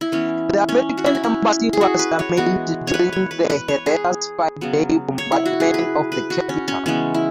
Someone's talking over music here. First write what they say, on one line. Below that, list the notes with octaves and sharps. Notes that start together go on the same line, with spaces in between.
The American embassy was damaged during Herrera's five-day bombardment of the capital.
E4
E3 B3 C#4
C#4
F#4
E4
C#4
E4
G#4
F#4
B4
C#5
E3 G#3 B3 F#4
C#5
B4
C#5
B4
B4
C#5
G#4
C#3 F#3 B3
C#5
E4
F#4
G#4
B4
B4
F#4
C#4
C#4
C#3 E3 G#3 B3 C#4
E4